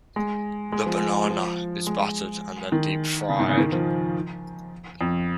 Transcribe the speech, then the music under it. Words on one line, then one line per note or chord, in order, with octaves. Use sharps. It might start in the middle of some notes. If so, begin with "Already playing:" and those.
The banana is battered and then deep fried.
G#3
G#3
F3
G#3
G#3
F3
G#3
D#3
C#3
G#2
C#3
D#3
F3
F2